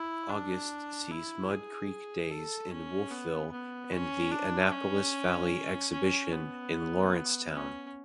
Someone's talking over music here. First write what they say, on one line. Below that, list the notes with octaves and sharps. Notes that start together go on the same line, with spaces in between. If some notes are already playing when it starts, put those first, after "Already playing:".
August sees Mud Creek Days in Wolfville and the Annapolis Valley Exhibition in Lawrencetown.
Already playing: E4
D4
E4
G#4
A4
C#4
B3
B3
C#4
D4
C#4
C#4
B3
C#4